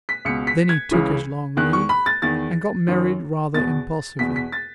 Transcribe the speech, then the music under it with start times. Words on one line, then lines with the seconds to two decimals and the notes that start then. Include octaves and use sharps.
Then he took his long leave, and got married rather impulsively.
0.09 B6
0.25 C#2 B2 C#7
0.47 B6
0.69 G#6
0.91 C#2 C#3 E3
1.57 E2 D#3 F#6
1.73 C#6
1.89 B5
2.06 A6
2.22 E2 D#3 A6
2.88 F#2 D#3
3.54 E2 B2 A6
4.19 E2 B2 B6
4.36 B6
4.52 A6